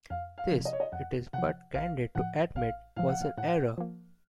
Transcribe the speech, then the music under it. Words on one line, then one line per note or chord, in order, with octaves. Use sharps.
This, it is but candid to admit, was an error.
F2 F5
F5
C3 F3
D#5
C#5
D#5
F2 F#5
C3 F3 F#5
A1 F5
A2 F3 F#5
A1 F5
A2 F3 F5
F#5
F5
A2 F#5
F3 A#3